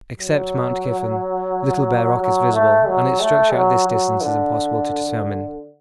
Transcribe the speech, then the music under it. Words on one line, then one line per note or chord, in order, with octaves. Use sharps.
Except Mount Kyffen, little bare rock is visible, and its structure at this distance is impossible to determine.
F#3
F#3
A3
F#3
A3
F#3
F#3
D3